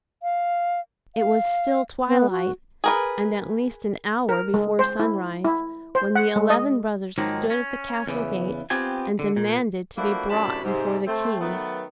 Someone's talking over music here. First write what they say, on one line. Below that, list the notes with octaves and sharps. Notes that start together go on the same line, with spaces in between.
It was still twilight and at least an hour before sunrise when the eleven brothers stood at the castle gate and demanded to be brought before the King.
F5
F5
B3
F#4
G#4 A#4 B4
A#4
G#3
C5
E4
E4
C5
F#5
G#3
D#5
G#2 D#3 F3 F#3 G#3 A#3
C#4
E2 C#3 E3
B3 C4 F4 G4 G#5
D3
A#2
F3 A3 A#3 D4 E4 F#4
F#2 A2 C3 D4 A5 B5
G#2 C3
A3 C4
D#3 F#3 A3 B3